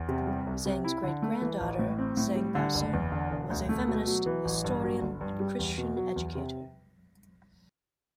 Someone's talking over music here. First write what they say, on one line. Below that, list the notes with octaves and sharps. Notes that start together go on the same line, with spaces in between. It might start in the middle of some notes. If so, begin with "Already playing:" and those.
Zeng's great-granddaughter, Zeng Baosun, was a feminist, historian, and Christian educator.
Already playing: E2
C3
G3
C2
C3
E4
D3
A3
E3
A1
A2
C4
A2
G3
D3
F#1
E2
D3
E1
D2
A3
B2
F#3
E3
A1
G2
F#3
G1
G2
G3
E2
B2
F#3
E2
C3